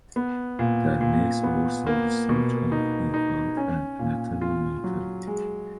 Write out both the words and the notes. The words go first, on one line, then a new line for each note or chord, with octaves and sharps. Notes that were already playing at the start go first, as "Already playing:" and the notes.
There Meigs oversaw research on infant and maternal mortality.
B3
A#2
A#2
B3
A#3
B2
D#4
D#4
C#4
A#2
F4
F#3
G#3